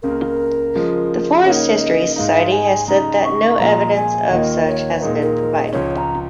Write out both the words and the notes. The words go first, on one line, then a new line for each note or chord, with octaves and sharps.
The Forest History Society has said that no evidence of such has been provided.
C#2 C#3 A#3 A#4
C#3 F3 G#3
C#3 A#3 D#4 C#5
D#5
G#2 G#3 D#4 F5
G#5
C#3 G#3 D#4 A#5
C#6
A#2 F3 G#3 F4 A#5
G#5
D#2 D#3 A#3 F4 D#5
C#5
A#2 G#3 D#4 A#4
A#4
D#5
C#2 C#3 F3 C#4 C#5
A#5